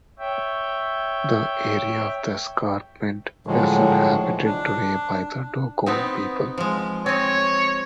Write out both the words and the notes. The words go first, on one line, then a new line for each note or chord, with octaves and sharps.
The area of the escarpment is inhabited today by the Dogon people.
C#5 E5 G5
A2 D3 F3 F#3 G#3
D4
B3 C4 D#4
F3 G#3
C4 C#5 D#5